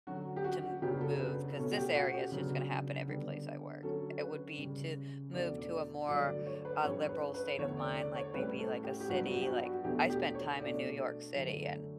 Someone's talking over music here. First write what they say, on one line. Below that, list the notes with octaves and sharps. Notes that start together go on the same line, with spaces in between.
to move 'cause this area it's just gonna happen every place I work. It would be to move to a more, uh, liberal state of mind, like, maybe like a city, like I spent time in New York City and,
D3 F#3 C#4 F#4
G4
F#4
F#2 C#3 F#3 B3 D4 G4
A4
B4
B2 A3 C#4 A4
F#4
G4
F#4
G4
C#3 F#3 B3 D4
D3 G3 B3 D4
D3 F#3 C#4 A4
B4
C#3 G3 C#4
E2 B2 A3 D4 D5
D5
G2 D3 F#3 A3 D5
D5
C#5
B4
G2 E3 G3 C#4 C#5
B4
B4
E2 D3 A3 C#5
D5
D5
C#5
A2 G3 C#4 B4
A4
G4
G4
G2 F#3 B3 D4 F#4
F#4
G4
F#4
F#4
E2 B2 A3 D4 G4
G4
C#5
B2 A3 D4 D5
F#2 D3 A3 D4